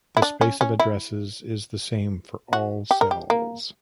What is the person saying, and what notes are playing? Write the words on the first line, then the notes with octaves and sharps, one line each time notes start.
The space of addresses is the same for all cells.
E4
D4
C#4
C#4
E4
F#4
G4
A#4
G4
A#3